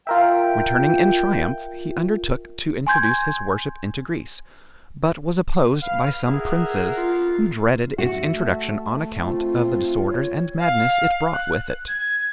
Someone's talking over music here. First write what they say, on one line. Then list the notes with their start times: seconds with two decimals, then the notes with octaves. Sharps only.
Returning in triumph, he undertook to introduce his worship into Greece, but was opposed by some princes, who dreaded its introduction on account of the disorders and madness it brought with it.
0.07 F4 A#4 E5 G5
2.87 G#5 C6 G6 G#6
5.82 B4 F5
6.28 G#4 A#4 E5 F#5
6.97 F4
7.98 F#4 E5
8.31 A3
9.18 C4 F4
10.08 C#5
10.59 F5
11.33 F#6
11.88 G#6